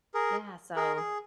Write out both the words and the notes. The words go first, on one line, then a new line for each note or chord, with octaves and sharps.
yeah so
G#4 A#4
G#4 A#4
G#4